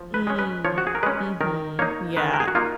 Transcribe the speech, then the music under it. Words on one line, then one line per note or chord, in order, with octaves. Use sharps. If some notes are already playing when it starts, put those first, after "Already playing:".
Mm. Mhm. Yeah.
Already playing: F3
B4
G#3 C#4
B4
F3 C#5
F#4
G#4
A#4
G#3 C#4 B4
D#3 A#4
A#3 D#4 C#5
D#3 B4
A#4
G#4
F#4
A#3 D#4 F4